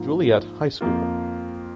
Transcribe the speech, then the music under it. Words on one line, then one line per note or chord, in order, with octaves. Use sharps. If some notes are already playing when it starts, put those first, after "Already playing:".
Juliet High school.
Already playing: G#2 F3 A#3
F2 F3 A#3 F4